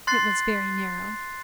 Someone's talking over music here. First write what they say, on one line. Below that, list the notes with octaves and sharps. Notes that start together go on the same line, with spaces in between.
It was very narrow.
C6 F#6 A6 C7